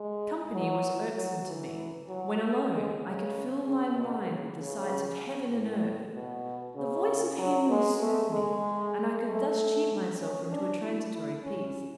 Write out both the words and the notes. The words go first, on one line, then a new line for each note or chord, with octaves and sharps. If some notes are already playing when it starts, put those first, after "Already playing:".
Company was irksome to me; when alone, I could fill my mind with the sights of heaven and earth; the voice of Henry soothed me, and I could thus cheat myself into a transitory peace.
Already playing: G#3
F#3
F#3
E3
F#3
A3
G#3
C#3
C#3
B2
C#3
C#3
A2
B2
C#3
F#3
G#3
A3
G#3
A3
C#4
D4
E4
E4
C#4